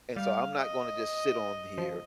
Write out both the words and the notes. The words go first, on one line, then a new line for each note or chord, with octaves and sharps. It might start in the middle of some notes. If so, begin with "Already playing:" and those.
and so, I'm not gonna just sit on here,
G3 F5
D#5
F3